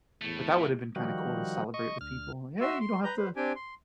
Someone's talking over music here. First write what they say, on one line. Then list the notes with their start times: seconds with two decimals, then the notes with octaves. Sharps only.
but that would have been kinda cool to celebrate with people, like, "Hey, you don't have to"
0.22 E2 A2 A3
0.96 D#3 F3 G3 F#4
1.74 D#5 C#6
2.01 D2 F6
2.61 F#4 E5 C6 E6
2.81 C6
3.04 B4 A#5 G6
3.17 B4 C5
3.36 C4 D4 G4 G5 G#5
3.56 C6